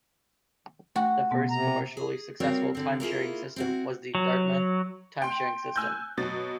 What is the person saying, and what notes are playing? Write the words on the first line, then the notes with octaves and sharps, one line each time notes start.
The first commercially successful time-sharing system was the Dartmouth Time Sharing System.
A3 F#4
B2 B3
C3 A#5
G#4
G3 C4 F#4 A#4 C#5 F5
D3 C4
A#3 E4 F4 G#4
C4 E4 F#4
F#3
G5 C6
G#5 E6 F#6 G6
B2 F#3 A6